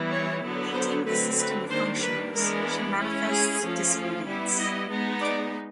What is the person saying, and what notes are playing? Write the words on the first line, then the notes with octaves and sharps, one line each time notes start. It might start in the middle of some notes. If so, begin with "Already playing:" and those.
Hating the system of functionals, she manifests disobedience.
Already playing: E3 G3 B3 E4
C#5
D3 F#3 B3
C5
D3 F#3 A3 C4 B4
B4
D#3 G3 A#3 D4 C5
B4
E3 G#3 B3 D4 A#4
G#3 C#4 E4
G#4
F3 A3 C#4 F4
G3 B3 E4
D#5
G#3 B3 D#4
D5